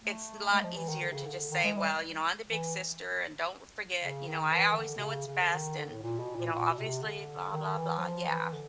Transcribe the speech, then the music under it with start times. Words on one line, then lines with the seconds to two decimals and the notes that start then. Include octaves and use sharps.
it's n a lot easier to just say, "Well, you know, I'm the big sister and don't w forget, you know, I always know what's best and, you know, obviously blah blah blah," yeah.
0.01 A3
0.51 G#3
0.64 F3
0.77 E3
0.89 D#3
1.01 D3
1.13 C#3
1.26 D3
1.51 D#3
1.64 G#3
1.77 G3
2.51 E3
4.02 C#3
4.27 D#3
4.52 E3
4.73 D#3
4.77 D3
4.97 C3
5.02 C#3
5.27 C#3
5.42 D3
5.53 D#3
5.77 D3
5.91 A2
6.02 A#2
6.19 B2
6.35 A#2
6.53 A#2
6.71 B2
6.77 C3
7.02 D3
7.52 D#3
7.78 E3
7.98 F#3
8.02 F3
8.28 E3
8.53 D3